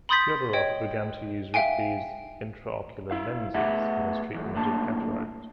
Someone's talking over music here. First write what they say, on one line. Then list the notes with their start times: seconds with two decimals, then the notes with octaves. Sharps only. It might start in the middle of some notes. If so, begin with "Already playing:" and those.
Fyodorov began to use Ridley's intraocular lenses in his treatment of cataract.
0.09 B5 C6 D#6 G6 A6 B6
0.53 C#5 D#5 G5
1.54 E5 F5 G5 G#5
3.11 E4 F5
3.54 A3 B3 G#4 E5 F#5
4.35 E2 G#2 E3
4.53 B1 F#2 A2 D3 A#3 A5